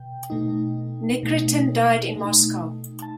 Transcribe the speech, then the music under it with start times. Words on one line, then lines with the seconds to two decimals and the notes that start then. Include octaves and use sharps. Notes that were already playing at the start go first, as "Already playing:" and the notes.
Nikritin died in Moscow.
Already playing: B2 G5
0.30 B2 A3 D#4
1.23 B2 A3 D#4
2.16 B2 A3 D#4
3.02 A5